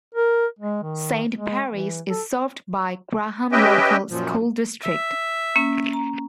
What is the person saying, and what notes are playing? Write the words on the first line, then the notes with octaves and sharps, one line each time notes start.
Saint Paris is served by Graham Local School District.
A#4
G#3
D#3
G#3
E3
A4
C#4 G4 B4 D#5 E5 G5
F#2 A#2 F3
E5
A#3 C#4
A#5